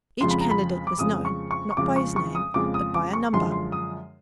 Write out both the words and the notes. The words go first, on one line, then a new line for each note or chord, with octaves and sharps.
Each candidate was known, not by his name, but by a number.
F2 C#3 F3 G#3 C6
B5
A#5
B5
D6
F2 C#3 F3 G#3 D#6
C#6
C#6
C#6
F2 C#3 F3 G#3 D6
C#6
C#6
D#6
F2 C#3 F3 G#3 D6
D#6
D6
C#6
F#2 D3 F3 G#3 C6
C6
D#6